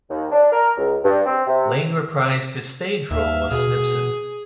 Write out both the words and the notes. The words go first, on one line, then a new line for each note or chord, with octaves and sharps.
Lane reprised his stage role of Snibson.
D#2
D4
A#4
C#2
G2
C4
C3
D#2 E5 F5
B2 G#4